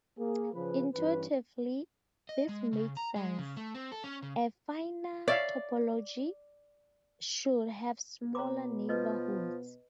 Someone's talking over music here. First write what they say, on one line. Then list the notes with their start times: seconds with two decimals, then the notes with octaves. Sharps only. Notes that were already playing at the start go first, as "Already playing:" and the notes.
Intuitively, this makes sense: a finer topology should have smaller neighborhoods.
0.18 A#3 G#4
0.54 C#3 F3 B4
0.94 G2 E3 C#4 B4
2.29 D#5
2.49 G#3
2.73 C#3
2.97 A#5
3.16 G#3
3.38 C#3
3.57 A3
3.74 C4
3.92 A4
4.04 C#4
4.22 C#3
5.28 C#5 D5 E5 F5
8.35 B2 B3 C#5 A#5 D6
8.89 F3 B4 D#5